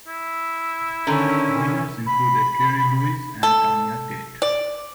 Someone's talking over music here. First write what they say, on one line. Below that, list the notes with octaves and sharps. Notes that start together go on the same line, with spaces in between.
Winners included Kerry Louise and Tanya Tate.
E4
D3 D#3 C#4
B5
A4
D5